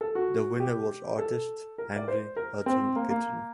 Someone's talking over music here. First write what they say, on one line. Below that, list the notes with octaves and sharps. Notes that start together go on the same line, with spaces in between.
The winner was artist Henry Hudson Kitson.
A4
F#4
G4
A4
A#4
D5
C5
A#4
C4
A#3
A#3